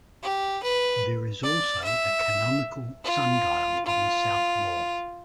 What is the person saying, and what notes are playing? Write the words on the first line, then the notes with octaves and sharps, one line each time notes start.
There is also a canonical sundial on the south wall.
G4
B4
D5
E5
F4
F4